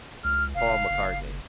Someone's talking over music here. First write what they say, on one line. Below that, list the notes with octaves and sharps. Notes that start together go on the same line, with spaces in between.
Paul McCartney.
C#2 F6
F1 F5
F#1